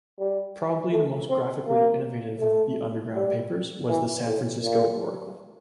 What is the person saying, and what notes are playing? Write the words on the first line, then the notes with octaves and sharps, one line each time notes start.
Probably the most graphically innovative of the underground papers was the "San Francisco Oracle".
G3
A3
C4
A#3
A3
G3
E3
A2
A#2